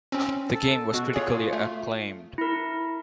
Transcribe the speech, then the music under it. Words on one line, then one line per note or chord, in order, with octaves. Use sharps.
The game was critically acclaimed.
C4 C#4
A4
B2 F#4
F4 G#4 C#5
A3
E4 A#4